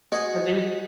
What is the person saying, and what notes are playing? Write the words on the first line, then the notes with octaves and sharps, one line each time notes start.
'Cause he was
F#4 G#4 D#5 F#5